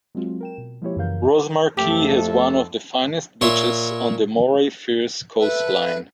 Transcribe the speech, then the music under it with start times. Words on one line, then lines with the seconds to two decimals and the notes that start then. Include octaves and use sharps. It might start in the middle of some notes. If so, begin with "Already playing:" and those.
Rosemarkie has one of the finest beaches on the Moray Firth Coast Line.
0.15 F#3 G#3 C4 F4 F#4
0.41 A#4 G5 E7
0.58 B2
0.82 F3 G#3 A#3 E4 G4 C#5
0.97 F#2 C#3 E3 A#4 F5 G6
1.77 F2 A3 G4 A4
3.41 A#2 C#5 E5 C6
5.39 A4 B4 E5